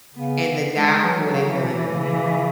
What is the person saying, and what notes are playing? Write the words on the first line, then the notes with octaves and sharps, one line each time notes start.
and the guy pulled a gun on him,
C#3 B3
G#3
E3 F#3
C#3
E3
B2
C#3